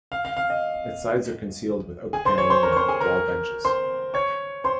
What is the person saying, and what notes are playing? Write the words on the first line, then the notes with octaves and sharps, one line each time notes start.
Its sides are concealed with oak panelling and wall benches.
F5
F5
F5
D#5
G#4 G#5
C5 C6
C#5 C#6
C5 C6
A#4 A#5
C#6
C5 C6
G#4 G#5
A#4 A#5
C5 C6
C#5 C#6
C5 C6